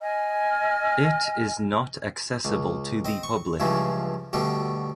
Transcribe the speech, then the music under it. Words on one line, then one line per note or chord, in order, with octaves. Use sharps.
It is not accessible to the public.
D#5 G#5 F6
C#2
C4 D#5
C#6
C#2 G2 C#3 E3 F3
D2 B2 D3 G3